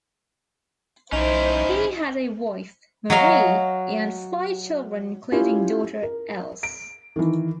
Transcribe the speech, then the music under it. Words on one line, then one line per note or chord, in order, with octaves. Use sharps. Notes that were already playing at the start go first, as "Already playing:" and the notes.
He had a wife, Marie, and five children including daughter Else.
B1 C#4 D#4 E4 C5
F#3 D#5 F5
C#4 E4 F4 G4
A#4
D7
D#3 E3